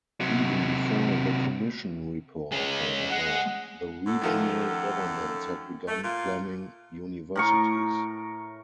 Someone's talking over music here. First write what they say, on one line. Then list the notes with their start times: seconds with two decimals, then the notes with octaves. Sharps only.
Even before the Commission report, however, the regional governments had begun planning universities.
0.21 C3 F#3
2.52 G#3 C#4
3.10 G#3 F#5
4.07 F#2 A4 F#5
4.22 D#3 F3 A3
5.87 A3
6.03 A#2 F4
7.36 A2 A#4 C#6